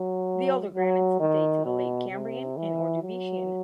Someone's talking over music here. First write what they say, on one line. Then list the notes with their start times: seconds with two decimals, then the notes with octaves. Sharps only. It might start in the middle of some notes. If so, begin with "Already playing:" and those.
The Older Granites date to the late Cambrian and Orduvician.
Already playing: F#3
0.74 F#3
1.20 D#3
1.65 B2
2.12 C3
2.57 E3
3.03 F#3